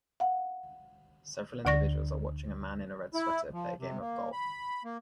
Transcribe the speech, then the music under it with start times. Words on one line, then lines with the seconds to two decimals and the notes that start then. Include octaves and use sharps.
Several individuals are watching a man in a red sweater play a game of golf.
0.20 F5 F#5
1.65 D2 D3 D5 C#6 A#6
3.14 E4
3.53 F3
3.80 C3
4.00 A#3
4.33 B5
4.85 A#3